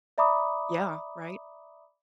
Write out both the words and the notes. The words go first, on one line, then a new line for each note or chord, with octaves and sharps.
Yeah, right?
D5 E5 A#5 B5 D6 D#6